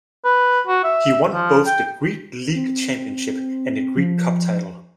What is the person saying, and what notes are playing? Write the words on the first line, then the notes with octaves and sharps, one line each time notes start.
He won both the Greek League championship, and the Greek Cup title.
B4
F#4
E5
F3
G5
C4
F3